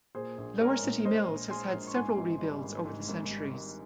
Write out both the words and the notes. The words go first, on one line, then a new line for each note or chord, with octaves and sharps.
Lower City Mills has had several rebuilds over the centuries.
A#2 G#4 C5
A#1
G#3 A#4 C#5
A#1
A#2 C5 D#5
A#1
G#3 G#5 C6
A#1
C#6
G#2 G#5 C6
G#1
G3
G#1
G#2
G#1
G3
G#1